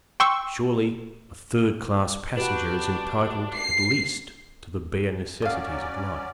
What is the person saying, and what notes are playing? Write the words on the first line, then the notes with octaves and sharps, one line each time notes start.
Surely a third class passenger is entitled at least to the bare necessities of life.
G5 C6 C#6 E6
D4 F#4 G4 B4
C7
F#3 C#4 D5 D#5 F5